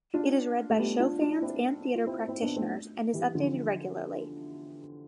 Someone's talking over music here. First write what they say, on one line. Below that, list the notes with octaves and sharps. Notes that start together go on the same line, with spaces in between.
It is read by show fans and theatre practitioners, and is updated regularly.
D4 F4
A3
G3 B3
D4 F4
D4 F4
C4 E4
F4
C4 E4
C4 E4
B3 D4
A3 C4
E3 G3
D3 F3